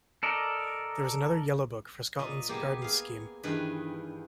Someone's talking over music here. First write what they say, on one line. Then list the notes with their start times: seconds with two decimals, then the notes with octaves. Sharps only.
There is another Yellow Book for Scotland's Gardens Scheme.
0.23 A4 A#4 D5 D#5
2.19 A#2 D#5
2.49 A#3 B3 G4 G#4
2.82 G#4 F5
3.44 G2 D#3 E3 G#4 B4